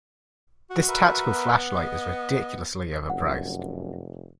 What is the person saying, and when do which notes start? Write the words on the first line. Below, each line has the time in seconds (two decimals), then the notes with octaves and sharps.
This tactical flashlight is ridiculously overpriced.
0.70 F#4
0.88 A#4 B4 E5
1.26 B3
1.77 D#5
3.10 F1 F#2 F#5